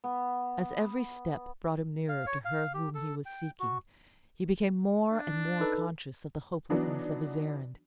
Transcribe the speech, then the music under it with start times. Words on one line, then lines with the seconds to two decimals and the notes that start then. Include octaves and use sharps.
As every step brought him nearer to her whom he was seeking, he became more and more conscious of the hopelessness of his errand.
0.04 B3
2.09 F5
2.26 C#5
2.45 F5
2.74 G4
2.95 A4
3.26 G5
3.60 F#4
5.10 D4
5.60 D#4 A4 B4
6.70 E3 F#3 B3 D4 D#4